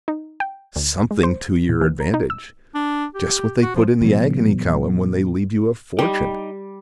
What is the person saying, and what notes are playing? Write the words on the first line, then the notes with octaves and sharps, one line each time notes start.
'Something to your advantage!' Just what they put in the agony column when they leave you a fortune.
D#4
G5
D2
G#3
C5
A#2
E3
A#5
D#4
E6
D4
G4
F#4
F3
A#2 E3 F#3 B3
G3 D#4 G4